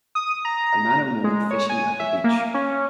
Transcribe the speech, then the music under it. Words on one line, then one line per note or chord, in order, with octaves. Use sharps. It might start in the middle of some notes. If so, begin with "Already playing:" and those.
A man and woman fishing at the beach.
D#6
A#5
G#3
C#5
G#5
E5
A#3
C#4